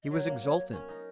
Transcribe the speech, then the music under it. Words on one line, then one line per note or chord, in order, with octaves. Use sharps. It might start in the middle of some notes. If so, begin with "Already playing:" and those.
He was exultant.
D#5
F#3 C#5
A#3
C#5
C#4 A#4
D#4